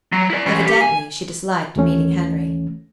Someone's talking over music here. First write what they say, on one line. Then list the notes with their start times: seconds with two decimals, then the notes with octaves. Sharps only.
Evidently she disliked meeting Henry.
0.13 F#3
0.30 E4 D5
0.46 E3 C#4
0.66 G4
0.81 G#5
1.76 D#2 E3 A3 C#4